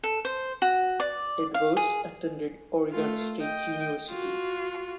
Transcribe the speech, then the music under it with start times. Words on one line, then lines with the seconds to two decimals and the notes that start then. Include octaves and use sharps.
Edwards attended Oregon State University.
0.03 A4
0.25 C5
0.62 F#4
1.00 D5
1.54 F5
1.77 G#4
2.92 A3 F4
3.41 D#5 G5
4.10 F4 F#4